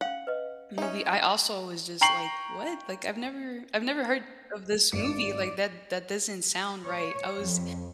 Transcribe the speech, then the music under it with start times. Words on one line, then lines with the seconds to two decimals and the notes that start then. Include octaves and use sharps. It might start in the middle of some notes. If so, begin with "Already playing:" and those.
movie, I also was just like "What?" Like I've never I've never heard of this movie, like, that that doesn't sound right, I was
0.01 C#4 F5 F#5
0.27 B4 D#5
0.78 C#4 D#4 E5
2.01 G5 A#5 C#6 C7 F#7
4.92 G#1 D5 C#7
6.85 C#5
7.38 F2